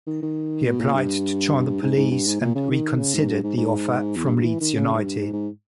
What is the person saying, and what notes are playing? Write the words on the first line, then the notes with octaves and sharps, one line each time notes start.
He applied to join the police and reconsidered the offer from Leeds United.
D#3
D#3
B2
A#2
G2
G#2
G#2
G2
G#2
A#2
C#3
D#3
C#3
G#2
G2
G#2
G#2
E2
G2
G2
E3
D#3
C#3
G#2
G2
G#2
G#2